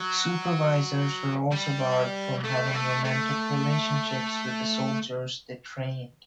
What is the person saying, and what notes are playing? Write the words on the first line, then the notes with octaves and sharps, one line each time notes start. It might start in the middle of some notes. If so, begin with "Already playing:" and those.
Supervisors were also barred from having romantic relationships with the soldiers they trained.
Already playing: F#3
G3
A3
G3
A3
A3